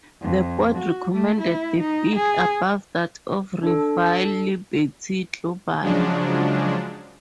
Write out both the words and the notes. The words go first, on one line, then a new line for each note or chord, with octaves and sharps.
The board recommended the bid above that of rival Liberty Global.
F2
F#4
A3
E4
D#4
G#4
D4 A4
C#3 F3 F#3 G#3 D4